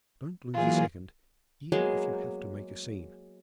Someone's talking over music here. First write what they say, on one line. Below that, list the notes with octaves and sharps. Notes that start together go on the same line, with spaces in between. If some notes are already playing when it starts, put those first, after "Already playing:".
Don't lose a second, even if you have to make a scene.
E3 F#3 A#3 F4 G#4
F#3 G#3 A#3 B3